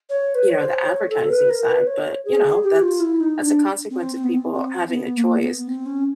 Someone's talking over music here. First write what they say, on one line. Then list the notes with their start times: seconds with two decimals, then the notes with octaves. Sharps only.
you know, the advertising side, but, you know, that's that's a consequence of people having a choice.
0.10 C#5
0.35 B4
0.50 C#5
0.60 C5
0.86 C#5
1.10 A4
1.29 B4
1.49 A#4
1.68 B4
1.87 C#5
2.25 G#4
2.63 G4
2.82 F4
3.00 E4
3.20 D#4
3.39 D#4
3.42 D4
3.90 C4
4.15 C4
4.24 B3
4.34 C4
4.54 C4
4.92 B3
5.17 A#3
5.42 B3
5.68 C4
5.86 C#4